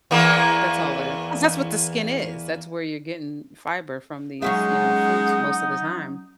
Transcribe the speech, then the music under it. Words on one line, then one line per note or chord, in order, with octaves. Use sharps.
That's all is. That's just what the skin is, that's where you're getting fiber from these, you know, fruits most of the time.
E2 E3 A#3
F#3 G#3 C#4 D#4 E5 F#5